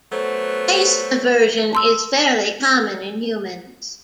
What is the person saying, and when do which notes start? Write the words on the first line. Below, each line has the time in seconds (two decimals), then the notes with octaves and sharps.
Taste aversion is fairly common in humans.
0.12 F#3 A3 B3 C5
1.73 A5 C6 E6